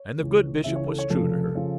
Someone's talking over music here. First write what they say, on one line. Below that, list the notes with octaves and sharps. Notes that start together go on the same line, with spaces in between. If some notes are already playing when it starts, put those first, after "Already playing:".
And the good Bishop was true to her.
Already playing: C#5
C#2 C#3 E3
C#2 C#3 E3 E5
C#5
A4
C#5
F1 F2 C#3 F3 A4
C#3 F3